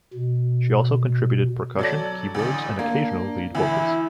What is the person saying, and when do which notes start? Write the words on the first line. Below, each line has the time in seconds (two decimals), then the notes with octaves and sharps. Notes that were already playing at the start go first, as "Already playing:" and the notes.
She also contributed percussion, keyboards, and occasional lead vocals.
0.13 B2
1.79 F#3 A4 D5
2.35 A1 D2
2.79 A#3 D4
3.55 D2 E3 E4